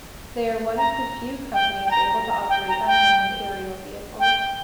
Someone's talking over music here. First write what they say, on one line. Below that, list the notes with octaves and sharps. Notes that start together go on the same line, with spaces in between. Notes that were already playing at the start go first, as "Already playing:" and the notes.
They are one of the few companies able to operate unmanned aerial vehicles.
A#5
G5
G5
A#5
A#5
G5
A#5
G5
G5